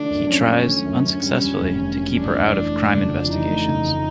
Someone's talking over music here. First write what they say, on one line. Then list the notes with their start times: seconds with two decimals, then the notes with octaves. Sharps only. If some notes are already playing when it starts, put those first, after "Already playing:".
He tries, unsuccessfully, to keep her out of crime investigations.
Already playing: D3 F3 A3 D4
0.10 F#2
0.29 F3 C#4
0.48 A3
0.67 D3
0.85 F#2
1.04 D3 C#4
1.22 G3
1.41 F2
1.60 F1
1.79 D3
1.98 G3
2.16 F2 D4
2.35 F1
2.53 E3
2.72 A3
2.92 C#3
3.10 F2
3.28 E3 D#4
3.47 A3
3.65 C#3
3.84 F2